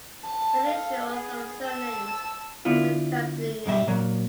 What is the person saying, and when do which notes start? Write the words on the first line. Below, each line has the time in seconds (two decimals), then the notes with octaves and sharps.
The initials of their surnames form the company name.
0.23 A5
0.68 A4 F5
1.10 B3 G#4
1.65 A5 E6
2.65 D3 B3 E4 F4
3.66 B1 G#2 G3 E5
3.87 A#2 F#3 A#3